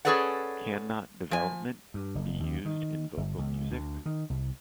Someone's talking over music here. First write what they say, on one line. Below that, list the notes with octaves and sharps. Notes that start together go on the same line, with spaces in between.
Cannot development be used in vocal music?
C#4 G#4 A4 B4 D5 F#5
F3 G#5
G2
F#1
D#2
D#3
G1
C#2
D2
D#3
C2